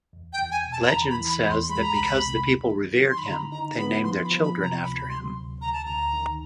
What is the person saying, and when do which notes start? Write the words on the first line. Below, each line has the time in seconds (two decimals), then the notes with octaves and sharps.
Legend says that because the people revered him, they named their children after him.
0.13 E2
0.33 G5
0.39 E2
0.51 G#5
0.65 B2
0.72 A5
0.86 B5
0.91 E2 A#5
1.10 B5
1.17 E3
1.30 B5
1.44 E2
1.50 C6
1.69 G#3 B5
1.82 A#5
1.94 C2 B5
2.22 C3
2.47 D#3
2.73 F#3
3.00 D#3
3.10 C6
3.18 B5
3.26 D3 A#5
3.52 D#4 A#5
3.78 B3 B5
4.04 F3 C6
4.24 B5
4.31 F3
4.44 B5
4.57 C3
4.63 A#5
4.83 D2 B5
5.09 F#3 C6
5.35 D2
5.61 D2 A#5
5.73 A5
5.85 D2 A#5
6.13 D#3